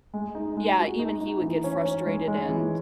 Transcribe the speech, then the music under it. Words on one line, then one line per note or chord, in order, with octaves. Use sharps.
yeah, even he would get frustrated and
G#3
D#4
G#3
F#4
D#4
D#4
E3
C#4
C#4
G#3
G#3
E3